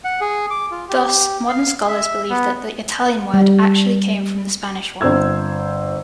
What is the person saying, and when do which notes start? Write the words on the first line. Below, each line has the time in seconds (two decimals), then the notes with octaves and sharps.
Thus, modern scholars believe that the Italian word actually came from the Spanish one.
0.04 F#5
0.21 G#4
0.50 D6
0.72 F4
0.89 G4
1.49 F5
1.88 E5
2.30 B3
3.34 G3
5.01 G1 C4 C5 E6 G#6